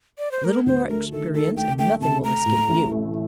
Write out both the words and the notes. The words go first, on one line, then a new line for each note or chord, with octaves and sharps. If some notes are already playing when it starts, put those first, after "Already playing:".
A little more experience, and nothing will escape you.
D5
C5
A3 A#4
D2 C5
A3 A#4
D#3 A4
D#3 A4
A3 G5
A3 G5
C3 A5
A3 A#5
A2
A1
A3